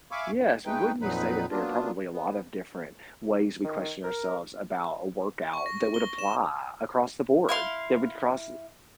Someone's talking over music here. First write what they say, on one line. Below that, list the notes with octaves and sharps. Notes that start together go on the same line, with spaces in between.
Yes. Wouldn't you say that there are probably a lot of different ways we question ourselves about a workout that would apply across the board, that would cross
E5 F5 G#5 B5 C#6 D6
G#3
G#3 A3 D#4 B4 G5
F2 A#2 F#3 D#4 B4 B5
F#3 A#3 B3 D4 F4
B3
D#3
A#4
C#6
A#6
G7
E7
E4 F5 C6